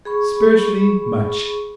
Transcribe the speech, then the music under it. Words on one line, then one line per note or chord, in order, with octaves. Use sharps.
Spiritually much.
G#4 B5 C#6